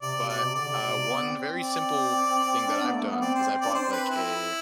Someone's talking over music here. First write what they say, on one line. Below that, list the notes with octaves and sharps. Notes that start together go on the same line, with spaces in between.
But, uh, one very simple thing that I've done cause' is I bought, like, a
C3 D5
C3
B2 D5
C3
D3 D5
C3
B2
C3
B3
C4
C4
D5
D4
B3
A3
B3
C4 D5
C5
D5
D4
C4 C5
B4
E4